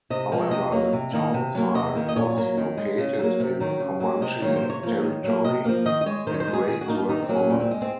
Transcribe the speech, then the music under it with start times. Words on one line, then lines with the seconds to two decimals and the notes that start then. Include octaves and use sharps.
However the townsite was located in Comanche territory and raids were common.
0.10 C3 D#5
0.32 F3 G#3
0.51 C3 D#5
0.72 F#3 A#3
0.93 C3
1.13 D#3 A#3
1.34 C3
1.55 F#3 A#3
1.75 C3 D#5
1.95 D#3 A#3
2.08 D#5
2.16 A#2 C#5
2.37 F#3 A#3
2.57 D#3
2.77 G#3
2.98 C#3
3.19 F#3 A#3
3.40 C3
3.60 D#3 F#3
3.80 C#3
4.00 F#3 A#3
4.21 C3 D#5
4.42 D#3 F#3 A#3 C#5
4.56 C5
4.62 C3
4.70 C#5
4.83 F3 A#3
5.03 D#3
5.24 F#3 A#3
5.44 C3 D#5
5.64 F3 A#3 F5
5.86 D#3 D#5
6.01 D#5
6.06 G#3 C#5
6.27 D#3 C5
6.34 C#5
6.40 C5
6.47 G#3
6.53 G#4
6.68 D#3 G#4
6.81 F#4
6.88 A#3 D#4
6.95 F4
7.09 D#3 D#4
7.22 C4
7.29 F#3 A#3
7.37 C#4
7.50 A#2 C#4
7.60 C4
7.71 G#3
7.82 C4